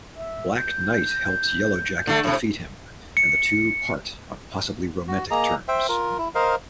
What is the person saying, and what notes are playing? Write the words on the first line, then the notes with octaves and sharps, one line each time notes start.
Black Knight helps Yellowjacket defeat him and the two part on possibly romantic terms.
E5
G6
D3 A3
A2 C3
C#7
F#4
A#3 G#4 D#5 A#5
C5 E5 G5
F4 A#4
E4
A#4 C5 D#5 F5